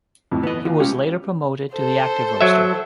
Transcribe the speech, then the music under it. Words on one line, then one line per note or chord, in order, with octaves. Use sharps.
He was later promoted to the active roster.
F2 A2
E3 B3 D#5
D#2 F4
G#3 C#4 G4
A4 C5
F#3 E5